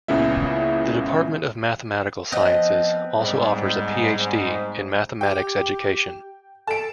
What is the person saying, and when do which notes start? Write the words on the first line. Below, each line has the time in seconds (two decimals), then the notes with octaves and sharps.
The Department of Mathematical Sciences also offers a Ph.D. in Mathematics Education.
0.08 C#2 A#2 C#3 B3 E4 E5
2.32 F3 B3 C4 D#5
3.18 G#2 G3
5.21 G4 G5
6.67 A4 A5 D7